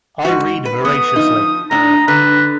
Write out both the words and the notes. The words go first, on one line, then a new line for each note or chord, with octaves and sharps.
I read voraciously.
G#2 F#4
B4
A3 B3 D#6
F3 D#4
A2 D4 A#5
D3 B4